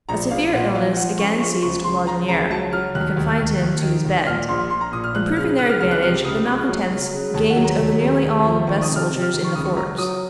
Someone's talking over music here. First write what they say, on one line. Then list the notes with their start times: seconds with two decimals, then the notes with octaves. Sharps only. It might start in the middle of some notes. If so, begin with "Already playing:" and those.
A severe illness again seized Laudonniere, and confined him to his bed. Improving their advantage, the malcontents gained over nearly all the best soldiers in the fort.
0.09 A#1 A#5
0.31 A#1 F5
0.53 A#2 F#5
0.75 F3 F5
0.97 F3 F#5
1.18 C#3 C#6
1.40 F3 C#6
1.62 C#2 C#6
1.84 C#3 C6
2.07 F3 A#5
2.28 C#2 A#5
2.51 F#3 A5
2.73 F#3 F6
2.95 D#2 F#6
3.16 D#2
3.39 D#2
3.60 D#2
3.82 D#3
4.05 D#2
4.26 A#2 F6
4.48 A#1 C6
4.70 A#1 C6
4.81 A#5
4.92 A#2 D#6
5.04 F6
5.15 F3 F#6
5.37 C#3 F6
5.58 C#3 F#6
5.70 F6
5.81 C#2 F6
5.91 F#6
6.03 C3 F6
6.25 C#2 D#6
6.46 C#2 C#6
6.68 F#3
6.90 F#3
7.13 C#3
7.34 D#2 A5
7.50 F#5
7.56 F#3
7.64 A#5
7.78 D#2
8.01 C#3
8.22 D#2
8.44 F3
8.67 D#3 C#6
8.82 D#6
8.89 C3
8.96 F6
9.10 C3
9.22 F6
9.33 D#3
9.44 C#6
9.54 C#2 D#6
9.65 C#6
9.76 F#3 A#5
9.98 F#3 D#6